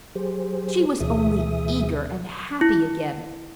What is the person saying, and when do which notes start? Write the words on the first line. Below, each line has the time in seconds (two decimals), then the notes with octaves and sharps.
She was only eager and happy again.
0.15 F#3 G4 G#4 C5
1.00 D2 B2 E3 G#4 E5 D#6
2.61 E4